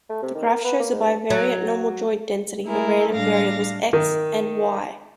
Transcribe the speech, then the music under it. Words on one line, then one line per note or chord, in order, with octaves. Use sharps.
The graph shows a bivariate normal joint density for random variables "X" and "Y".
A3
C3
D#3
A#4
B3
A#3
G#2
G2
F#3
G#3 A3 E4 G#4 A#4
A2 G3 D4 F5 A#6
D#3